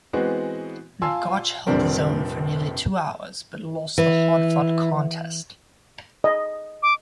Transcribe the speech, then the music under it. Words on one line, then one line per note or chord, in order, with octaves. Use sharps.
Gotch held his own for nearly two hours, but lost the hard-fought contest.
E3 G#3 B3 C4 F#4
F4 F5 G#5 A5 C6 E6
F1 A#1 D3 G3 C4 A#4
E3
D#5
D6